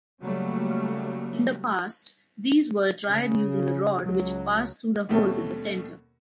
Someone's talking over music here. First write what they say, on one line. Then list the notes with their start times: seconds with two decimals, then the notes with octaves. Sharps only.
In the past, these were dried using a rod which passed through the holes in the center.
0.21 C#3 F#3 G3 A3 A#3
3.09 C#3
4.04 C#2 F#3
5.09 D#2 B2 G3 A3 C4 C#4